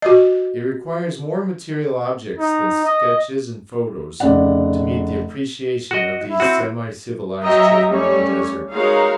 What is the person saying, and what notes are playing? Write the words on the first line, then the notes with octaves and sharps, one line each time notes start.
It requires more material objects than sketches and photos to meet the appreciation of these semi- civilized children of the desert.
F#4 D#5
D#4
D#5
F1 C#3 D5 F#5
F#4 D#5
E4
C4 F#4
F#3 D#5 E5 G5 A#5
G3 A3 C#4 C#5
G#3 D#4 F#4 A#4 C#5 F5